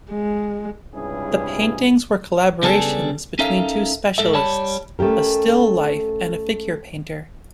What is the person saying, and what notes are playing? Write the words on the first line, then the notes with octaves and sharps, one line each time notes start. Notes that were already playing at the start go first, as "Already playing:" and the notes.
The paintings were collaborations between two specialists: a still life and a figure painter.
G#3
C#2 G2 C3 C#4 E4 G#4
C#3 G3 B3 D4 G#4 A4
C#4 D#4 A4 A#4 E5 F5
G#2 A4 E5
G3 C#5 A5 B5
A3 C#4 G4 A#4